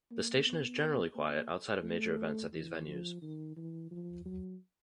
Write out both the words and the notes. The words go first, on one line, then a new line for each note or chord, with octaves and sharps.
The station is generally quiet outside of major events at these venues.
A#3
B3
A#3
A3
E3
F3
D#3
E3
F3
F#3